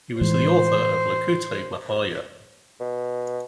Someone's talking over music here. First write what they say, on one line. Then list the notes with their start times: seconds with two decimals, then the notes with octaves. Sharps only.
He was the author of "Likutei Maharya".
0.21 A2 E3 G#3 C5
2.80 B2